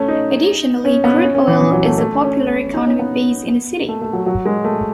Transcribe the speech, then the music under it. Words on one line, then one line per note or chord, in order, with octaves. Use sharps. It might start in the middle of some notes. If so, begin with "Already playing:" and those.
Additionally, crude oil is a popular economic base in the city.
Already playing: A3 C#4
D#4
C#4
B3
C#4
C#4
E3
E3
F#3
A3
A3
C#4
D#4
C#4
B3
A3
A3
F#3
F#3
G#3
A3